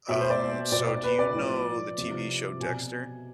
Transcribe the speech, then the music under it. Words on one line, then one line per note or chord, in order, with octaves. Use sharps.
Um, so do you know the TV show Dexter?
B2 E5
C5
D5
B2 D5
D5
B4
D5
A2 F3
C3 F3
B2 G#5